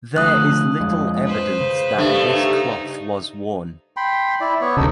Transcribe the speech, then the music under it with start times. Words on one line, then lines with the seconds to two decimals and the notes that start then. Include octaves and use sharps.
There is little evidence that this cloth was worn.
0.16 D3 F3 A3 D#6 F#6
0.80 F2 F3 G#3
1.24 B4 C5
1.60 C#3
1.98 G2 A3
2.29 D#4
3.97 G5 B5 C6
4.41 E4 D5
4.61 B3 C#5
4.77 D2 C#3 D#4 A4 E6